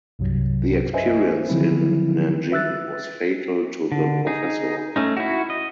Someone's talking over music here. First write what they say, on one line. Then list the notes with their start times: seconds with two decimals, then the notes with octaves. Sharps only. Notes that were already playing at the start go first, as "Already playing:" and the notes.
The experience in Nanjing was fatal to the professor.
0.19 C2 G2 C3 F#3
0.94 B4 C5 D#5 E5 G#5
1.49 D3 D#3 F3 F#3 C4 E4
2.51 B4 E5 E6 F#6 A6
3.92 D3
4.27 D#4 G#4
4.96 A3 C#4 D#4
5.17 E4 F#4
5.50 D#5